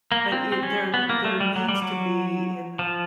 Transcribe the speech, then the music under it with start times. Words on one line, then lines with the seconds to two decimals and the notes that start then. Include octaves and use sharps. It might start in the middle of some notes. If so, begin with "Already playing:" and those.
But i there there needs to be in the
0.12 A#3
0.32 C4
0.52 C4
0.63 C#4
0.94 B3
1.09 A#3
1.24 A3
1.40 G3
1.56 F#3
1.68 G3
1.82 F#3
2.79 F3